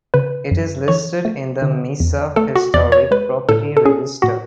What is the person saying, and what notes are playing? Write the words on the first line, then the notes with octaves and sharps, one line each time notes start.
It is listed in the Mesa Historic Property Register.
C#3 B4
F#2
E3 C#5
A3
D3
E2
A3 A4
F#4
E2 D5
C#5
G#3 B4
A2 A4
A4
C#4 G#4
A2 F#4